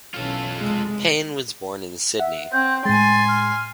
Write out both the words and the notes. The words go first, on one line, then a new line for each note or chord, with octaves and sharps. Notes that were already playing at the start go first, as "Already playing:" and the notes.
Payne was born in Sydney.
B1 E3 C#4 F4 A4
F1 G#3
E5 F#5
C4 G6
A2 G#3 G#5 C6 A6
F6